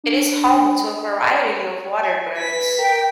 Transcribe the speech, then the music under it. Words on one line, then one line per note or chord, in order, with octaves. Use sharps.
It is home to a variety of water birds.
D4
G#5
B4 B6
A#4 G5